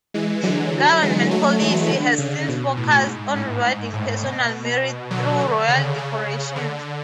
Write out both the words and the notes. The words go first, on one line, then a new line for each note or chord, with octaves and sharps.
Government policy has since focussed on rewarding personal merit through royal decorations.
E3 G#3
D3 F#3
E3 G#3
F#3 A3
E3 G#3
D3
C#3
B2
A2
G#2
A2
G#2
A2
B2
D3 F#3
D3
C#3
C#3
D3